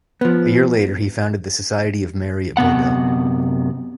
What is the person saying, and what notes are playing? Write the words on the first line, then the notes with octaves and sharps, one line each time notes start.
A year later, he founded the Society of Mary at Bordeaux.
F3 B3
F#2 C3 B3 F#5